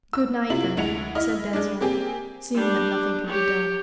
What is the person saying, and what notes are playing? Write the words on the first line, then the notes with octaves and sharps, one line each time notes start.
"Good-night, then," said Denzil, seeing that nothing could be done.
E6
C3 E4 F4 F#7
D2 G#3 E4 C#7 F7
E4 D#5 F6
G#3 D4
A#3 C4 G4 G#4
G3 D4
G4 C#5